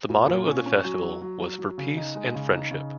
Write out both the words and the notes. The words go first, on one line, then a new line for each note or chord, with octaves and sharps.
The motto of the festival was For Peace and Friendship.
A#2
A#2
C#4
C#4
F#3
F#3
F#3
F#3
F#3
C#3
D#4
G#3
C#3
D#4
C#3